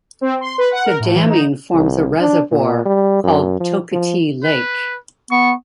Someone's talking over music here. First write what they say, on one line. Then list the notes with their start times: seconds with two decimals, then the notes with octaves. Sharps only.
The damming forms a reservoir called Toketee Lake.
0.21 C4
0.41 C6
0.58 B4
0.71 F#5
0.85 A#4
1.00 A2
1.15 E3
1.29 D#4
1.74 C2
2.21 D4
2.52 A#2
2.86 G3
3.24 F#2
3.61 F3
3.92 F3
4.44 B4
5.31 B3 C#6